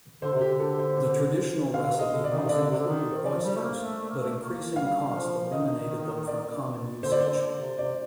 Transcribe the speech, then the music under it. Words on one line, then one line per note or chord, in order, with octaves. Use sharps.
The traditional recipe once included oysters, but increasing cost eliminated them from common usage.
D3 C5
C3
G4
D3
A4
C5
C5
D3 F5
C3
D#5
D3
D5
D#3
C3
D3 D5
C3
D3
D#3
C5
F3 D5
G3
A3
A#3
A3
A3
A#3
A3
A#3
G3 F5
G3
F3
D#3 D#5
D5
D3 C5
D5
D3 C5
D3
C3
C3 D5